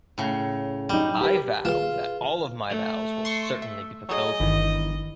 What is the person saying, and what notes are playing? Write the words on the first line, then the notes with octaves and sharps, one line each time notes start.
I vow that all of my vows will certainly be fulfilled.
A2 C#3
F#3 G3 D#4
G4 A#4 B4
F4 G#4 B4 E7
A3
C6 C#6
E5
F#3 G#4 D#5
G1 D#3 E3